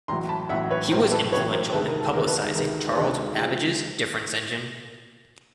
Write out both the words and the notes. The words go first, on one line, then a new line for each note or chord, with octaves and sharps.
He was influential in publicising Charles Babbage's difference engine.
A1 A2 F#3 A#5 C6
A5 B5
A1 A2 F#3 E5 F#5
B4 C#5
A1 A2 F#3 A#4 C5
A4 B4
A1 A2 F#3 B4 C#5
A#4 C5
D2 C3 D#3 G#3 B3 A4 B4
A#4
A4
D2 C3 D#3 G#3 B3 A#4
A4 B4
A#4
D2 C3 D#3 G#3 B3 A#4
C5
D2 C3 D#3 G#3 B3 A4 B4
C#3 F3 G#3